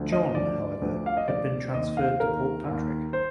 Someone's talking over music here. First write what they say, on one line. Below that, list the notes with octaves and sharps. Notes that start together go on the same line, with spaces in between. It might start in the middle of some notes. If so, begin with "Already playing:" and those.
John however had been transferred to Portpatrick.
Already playing: D2 D3 F3
D#5
D2 D3 F3 D5
D2 D3 F3
F5
D#5
D2 D3 F3 D5
D#2 D#3 D#5
F5
D#2 D#3 A#4
D#2 D#3
C5